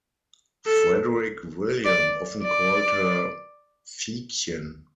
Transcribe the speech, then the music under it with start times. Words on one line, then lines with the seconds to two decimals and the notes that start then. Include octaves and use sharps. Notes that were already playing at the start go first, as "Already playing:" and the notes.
Frederick William often called her "Fiekchen".
0.66 A4
1.85 D5
2.44 D5